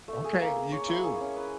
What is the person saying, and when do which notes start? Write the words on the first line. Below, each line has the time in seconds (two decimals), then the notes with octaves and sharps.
Okay, you, too.
0.08 A3
0.24 G#4
0.40 A#3
0.56 G#4
0.72 C#5
0.88 E4
1.04 G#4
1.20 C#4
1.36 B4